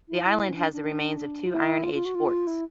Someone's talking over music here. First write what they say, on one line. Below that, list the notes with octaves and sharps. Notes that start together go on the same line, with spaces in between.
The island has the remains of two Iron Age forts.
E4
E4
C#4
D4
D4
F4
E4
F4
F4
F#4
F4
E4